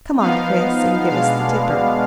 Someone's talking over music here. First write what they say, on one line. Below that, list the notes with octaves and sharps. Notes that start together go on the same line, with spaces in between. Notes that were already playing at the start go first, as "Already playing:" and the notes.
Come on, Chris, and give us the dipper.
F3 B3 D#4 F5
B2 G#3 B3 D4 F5